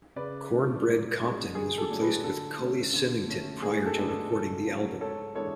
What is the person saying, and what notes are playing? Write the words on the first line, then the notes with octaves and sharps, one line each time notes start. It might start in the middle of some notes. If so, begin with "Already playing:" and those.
Cornbread Compton was replaced by Cully Symington prior to recording the album.
C#3 B4 D5
E3 A3 D4
G#2
G#3 C#4
D3 G#4
A4
F#3 A3 D4
G#4 B4
D3 A4
A3 C#4
D3
A3 C#4
A2 G#4
A4
G#3 B3 D4
A4
C#3 A4
F#3 B3
G#2 A4 C#5
E3 G#3 B3 D4 A4 C#5